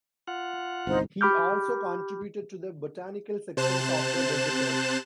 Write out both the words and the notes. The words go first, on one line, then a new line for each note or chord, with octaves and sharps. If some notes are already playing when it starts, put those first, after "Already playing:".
He also contributed to the botanical sections of the Gazetteers.
F4 F#5
G1 C2 D#4 C5
G4 B5 D6 F6 G6
C3 C5 A5 F#6 E7